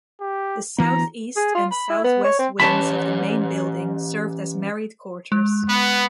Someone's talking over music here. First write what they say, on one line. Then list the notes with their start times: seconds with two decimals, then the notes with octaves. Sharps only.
The south-east and south-west wings of the main building served as married quarters.
0.21 G4
0.78 D2 E3 B3 A#5
1.37 G#4
1.55 F4
1.71 B5
1.90 E4
2.04 B3
2.24 C#5
2.39 C4
2.60 E3 C#4 G4 C#5 A5 B5
5.32 G#3
5.67 B3